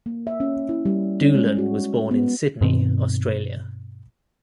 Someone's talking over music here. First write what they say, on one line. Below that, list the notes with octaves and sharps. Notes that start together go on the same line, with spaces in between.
Doolan was born in Sydney, Australia.
A#3
E5
C#4
E4
G3
C#4
G#3
F#4
B3
G2 B2 D#3 C4